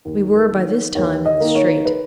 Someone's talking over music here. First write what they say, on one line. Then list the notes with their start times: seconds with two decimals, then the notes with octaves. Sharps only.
We were by this time in the street.
0.05 D#2
0.35 A#4
0.50 D#3 A#3
0.65 C#5
0.95 D#2 C#5
1.26 D#5
1.40 D#3 A#3
1.55 C#5
1.85 B4